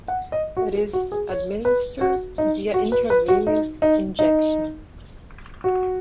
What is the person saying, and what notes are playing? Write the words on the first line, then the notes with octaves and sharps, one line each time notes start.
It is administered via intravenous injection.
F#5
D#5
F#4
G#4
F#4
G#4
C#5
B4
F#4
D#4
F#4
B4
B4
F#4
D#4
D#4
D#4
F#4